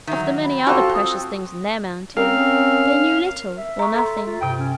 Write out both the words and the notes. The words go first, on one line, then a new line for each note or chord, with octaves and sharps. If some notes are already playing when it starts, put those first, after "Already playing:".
Of the many other precious things in their mountain they knew little or nothing.
D#3 F#3 E5
B5
C4 F4 F#4 A4
D#6
C4 C#4 A#4 F5
E5
A#5 C#6
A4 A#5 C6
F4
G2 C3 G5
C#4